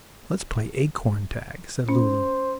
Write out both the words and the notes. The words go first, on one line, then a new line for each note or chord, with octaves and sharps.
"Let's play acorn tag," said Lulu.
C#4 C5